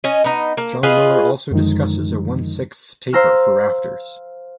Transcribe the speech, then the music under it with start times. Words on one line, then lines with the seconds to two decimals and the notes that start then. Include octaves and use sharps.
John Muller also discusses a one-sixth taper for rafters.
0.04 C#4 D#5
0.24 B3 D#4
0.57 A#3
0.83 F4 G#4 B4 D#5
1.51 F#2 D3 D#3 F3 G#3 D#4
3.13 C5 F5 A#5 E6 F6